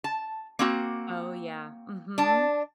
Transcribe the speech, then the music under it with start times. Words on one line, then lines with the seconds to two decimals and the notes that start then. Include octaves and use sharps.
Oh, yeah, mhm.
0.04 A5
0.59 A#3 C4 F#4
2.18 D4 A5